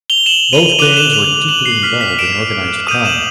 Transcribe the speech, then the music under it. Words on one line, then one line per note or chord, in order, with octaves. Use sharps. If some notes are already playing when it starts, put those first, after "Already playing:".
Both gangs were deeply involved in organized crime.
F7 G7
E7 F#7
D#7 F7
D6 F#6 D#7 F7
E7 F#7
D#7 F7
E7 F#7
C7
D6 F6 B6
B6
D7 E7
D#6 G6 D#7 F7
E7 F#7